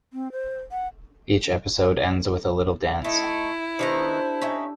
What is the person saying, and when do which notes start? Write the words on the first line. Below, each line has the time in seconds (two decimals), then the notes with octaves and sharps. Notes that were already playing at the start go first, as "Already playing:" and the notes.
Each episode ends with a little dance.
0.13 C4
0.32 C5
0.72 F#5
3.04 A3 D#4 E4
3.79 D#3 B3 D4 G4 A4 C5 A#5
4.42 C#4 D#4 E4